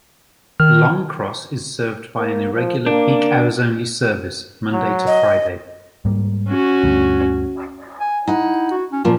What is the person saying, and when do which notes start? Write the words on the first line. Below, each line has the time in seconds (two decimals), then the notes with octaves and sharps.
Longcross is served by an irregular peak hours only service, Monday to Friday.
0.60 D#3 F6
2.17 A#3
2.54 F3
2.86 A#3 D4
4.73 F#3
5.07 D#5
6.05 G#2 G3 A#3
6.49 C#4 F#4
6.84 D2 G2 D3
8.00 G#5
8.28 D#4 E4 F#5
8.71 F#4
8.92 C#4
9.05 A#2 F3 A#3 F4